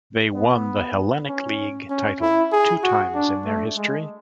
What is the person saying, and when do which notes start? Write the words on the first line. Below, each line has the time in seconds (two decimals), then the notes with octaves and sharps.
They won the Hellenic League title two times in their history.
0.35 B3
1.29 C#4
1.90 C#4
2.21 E4
2.52 G#4
2.83 F#4
3.15 D4
3.45 A3
3.77 G#3